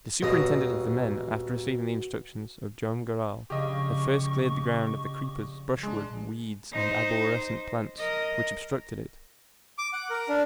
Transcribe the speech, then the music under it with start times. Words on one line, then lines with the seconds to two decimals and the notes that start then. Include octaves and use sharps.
The superintendent of the men, after receiving the instructions of Joam Garral, had first cleared the ground of the creepers, brushwood, weeds, and arborescent plants which obstructed it.
0.23 D#1 B2 F#4 D#5
3.50 A#1 C#3 G4 D#5 C#6
5.83 G#3 D4
6.72 D#4 C5
7.98 A#4 D#5
9.78 D6
9.93 F#5
10.10 A#4
10.29 D4